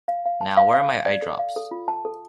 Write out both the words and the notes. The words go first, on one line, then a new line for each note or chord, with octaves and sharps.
Now, where are my eyedrops?
F5
F5
A5
F5
F5
F5
D5
A4
F5
A4
F4
A5
A4